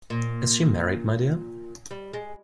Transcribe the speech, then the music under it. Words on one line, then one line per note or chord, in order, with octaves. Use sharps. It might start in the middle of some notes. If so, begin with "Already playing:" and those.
Is she married, my dear?
A#2
G3
G#3